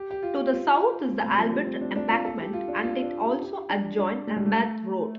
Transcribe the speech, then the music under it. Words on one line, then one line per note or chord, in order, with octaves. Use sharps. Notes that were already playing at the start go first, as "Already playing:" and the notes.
To the south is the Albert Embankment and it also adjoins Lambeth Road.
Already playing: G4
G4
F4
F4
C4
A3
G3
F3
G3
C4
D4
D4
F4
A4
G4
F4
D4
F4
D4
G4
G4
D4
D4
A3
G3
A3